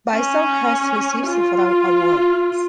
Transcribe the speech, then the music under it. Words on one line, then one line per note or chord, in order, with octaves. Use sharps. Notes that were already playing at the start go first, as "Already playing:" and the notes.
Beissel has received several awards.
C#4
F4